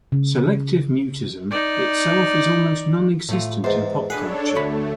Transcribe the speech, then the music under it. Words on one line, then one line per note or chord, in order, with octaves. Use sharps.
Selective mutism itself is almost nonexistent in pop culture.
C#3
D#4 D5
A2 A3 F4
E2 G#2 C5
D4 G#4 A4 B4 C#5 D#5 F#5
D2 A3 C#5 B5